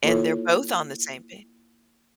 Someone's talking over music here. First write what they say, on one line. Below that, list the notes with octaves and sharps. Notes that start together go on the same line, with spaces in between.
and they're both on the same pa
A#3 E4 F4 A4 C#5